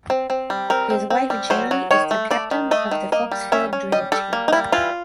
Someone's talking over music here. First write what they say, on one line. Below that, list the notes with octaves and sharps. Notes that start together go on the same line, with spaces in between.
His wife Jenny is the captain of the Foxfield Drill team.
C4
C4
G3
C4 A#4
C4
C4
G3
F#3 C5
F#3
D#3 C#5
A3
A3 D5
D#3
A3 D#5
D#3
A#3 D#5
G3
C#4 E5
C#4
G3 D#5
G3 A4
A#3
D#4
G3 E4
E3 F4